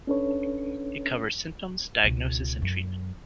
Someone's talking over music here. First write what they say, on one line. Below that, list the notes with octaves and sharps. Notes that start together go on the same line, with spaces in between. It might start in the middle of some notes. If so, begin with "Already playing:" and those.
It covers symptoms, diagnosis and treatment.
C#4 D4 A4 B4 C#5
C#2 B2
F#2